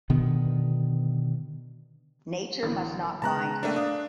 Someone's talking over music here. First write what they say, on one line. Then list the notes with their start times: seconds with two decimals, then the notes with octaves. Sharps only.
Nature must not bind him.
0.10 B2 D3 D#3 B3
2.63 A1 D3 A6
3.22 C#3 G#3 B3 A5 A#5 F#6
3.63 A3 A#3 D4
3.76 D4 F5 D#6